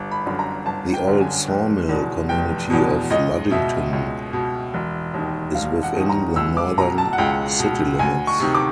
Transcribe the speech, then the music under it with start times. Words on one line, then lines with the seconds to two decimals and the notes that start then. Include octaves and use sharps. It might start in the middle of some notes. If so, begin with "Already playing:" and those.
The old Sawmill community of Luddington is within the northern city limits.
Already playing: G1
0.11 B5
0.26 F#2 D3
0.39 A#5
0.66 G1 A5
0.94 G5
1.07 F#2 D3
1.21 G#5
1.48 F1
1.89 E2 B2
2.29 F1 G5
2.70 E2 B2
3.10 C#2 D#5
3.51 B2 E5
3.93 C#2
4.33 B2
4.74 E1
5.14 D#2 D#3
5.55 E1 F5
5.83 F#5
5.95 D#2 D#3
6.09 A#5
6.36 C#2 E6
6.57 D6
6.77 B2 A#5
6.98 A5
7.13 F#5
7.18 C#2 G5
7.59 B2
7.99 D2 G#5
8.27 C#6
8.40 C3 D#3
8.55 D6